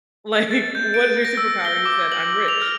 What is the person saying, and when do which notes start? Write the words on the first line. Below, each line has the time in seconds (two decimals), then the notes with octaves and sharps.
like, "What is your superpower?" he said, "I'm rich."
0.51 A6
0.75 G6
0.94 D7
1.25 A#6
1.37 E6
1.65 G7
1.85 D6
2.12 F#7
2.48 F7
2.62 F6